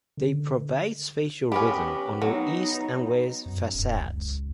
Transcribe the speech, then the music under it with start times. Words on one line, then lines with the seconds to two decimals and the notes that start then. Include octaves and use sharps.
They provide spatial rhythm on the east and west facades.
0.17 D3
1.52 B3 C#4 G4 A#4 B4
2.22 F#3 B3 D#4
3.46 F#2
3.74 D#1
3.99 C#2